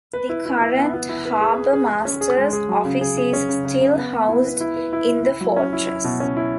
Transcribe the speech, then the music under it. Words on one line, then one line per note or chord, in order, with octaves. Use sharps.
The current harbor master's office is still housed in the fortress.
B4
E4
E4
E4
B3
B3
E4
B4
G#4
G#4
G#4
G#4
C#4
G#4
G#3
G#4
F#3
C#3
G#4
G#4
C#4
C#3
C#3
C#3
B3
B3
E4
B4
E4
B4
E4
E4
E4
F#3
C#4
E4
E4
B2
C#4
E4